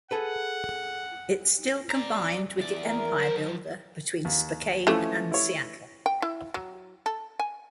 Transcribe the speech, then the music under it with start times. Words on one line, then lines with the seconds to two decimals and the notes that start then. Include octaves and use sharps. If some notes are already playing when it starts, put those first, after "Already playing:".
It still combined with the "Empire Builder" between Spokane and Seattle.
0.11 G#4 A4 B4 F#5
1.90 D5 A#5
2.58 E2 D5
2.84 A#4
3.19 F#3 C5
4.25 D#2
4.87 E3 F3 A3 C#4
5.31 E4 C#5
6.06 G5
6.22 E4
6.54 F#3
7.06 A4
7.39 G#5